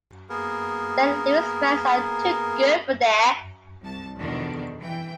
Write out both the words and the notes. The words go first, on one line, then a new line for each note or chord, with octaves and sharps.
Saint Louis fans are too good for that.
A#3 B3 G#4 A#4
C2 A5
E2 B2 D3 D#3 F3 D4
E3 G5